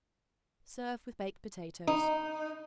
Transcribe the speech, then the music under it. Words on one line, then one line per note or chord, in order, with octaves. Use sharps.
Serve with baked potatoes.
D#4